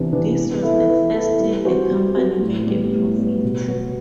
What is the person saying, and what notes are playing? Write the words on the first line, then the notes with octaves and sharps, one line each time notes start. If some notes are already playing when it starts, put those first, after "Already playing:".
This was the first year the company made a profit.
Already playing: C3 E3 B3 D4
E3 B3 D4
B3
E4 A4
B3
E4 A4
G3
C4 F#4 C5
G3
C4 F#4 C5
A2
G3 B3
A2
G3 B3
B2
F#3 B3 F#4